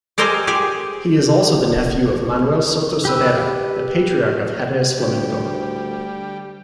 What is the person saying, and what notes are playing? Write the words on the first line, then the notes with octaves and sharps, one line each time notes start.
He is also the nephew of Manuel Soto Sordera, the patriarch of Jerez flamenco.
G4 A4 A#4 C5 D#5 G#5
G4 G#4 G#5
G4 B4 E6
D2 G3